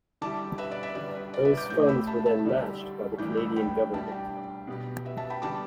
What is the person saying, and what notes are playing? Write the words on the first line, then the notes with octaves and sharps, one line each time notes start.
Those funds were then matched by the Canadian government.
D3 G3 E4 G4 A5 D6
B4 E5
D5
B4 E5
D3 G3 D4 G4 D5
B4
D5
B4 E5
D6 G6
A2 A3 G4 D6 G6
B5 E6
E5 A5
E5 A5
D3 G3 D4 G4
A2 E3 G3 D4 D6 G6
B5 E6
G5 B5
G3 D4 G4 E5 A5
D5 G5
B2 B3 G4
B4 E5
E5 A5
G5 B5
D3 G3 B3 G4 A5 D6